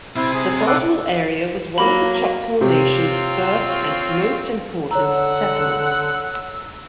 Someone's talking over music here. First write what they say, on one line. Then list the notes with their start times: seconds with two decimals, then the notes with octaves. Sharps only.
The Boswell area was one of the Choctaw Nation's first and most important settlements.
0.16 C3 C4 E4
0.34 G#4
0.67 A4 F#5 D6
1.78 F#3 A#3 F5 B5
2.61 C3 C4 F4 C#5
4.91 D3 C#5 F#5 A#5 E6